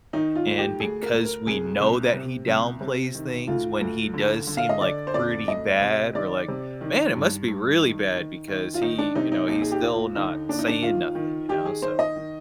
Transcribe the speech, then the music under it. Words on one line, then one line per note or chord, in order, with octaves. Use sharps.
and because we know that he downplays things when he does seem, like, pretty bad, we're like, "Man, it must be really bad because he, you know, he's still not saying nothing," you know? So,
D#3 D#4
F4
D2
G4
D2 G#4
A#4
D2
A#4
C2 G#4
C2
C3
C2
C3
D#3
D2 F4
D2
D3
D3
F5
D#5
D3 D5
C5
F2 D5
D2 D#5
C3
D#3 D5
C3
D#3
G2
G2
D#3
D#3
D#3
F4
D#3 D#4
D4
C3 D#4
D#4
D#2 D#4
G#4
G4
D#2 F4
D3 D#4
D#2 D4
D#4
D4
D#3 F4
D#3
D#3 G4
G#4
D#3 C5
D#5
D#3